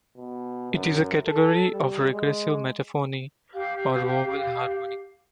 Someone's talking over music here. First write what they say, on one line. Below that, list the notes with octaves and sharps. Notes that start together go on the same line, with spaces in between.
It is a category of regressive metaphony, or vowel harmony.
B2
F#2
A4
G3
G#3
G4 F5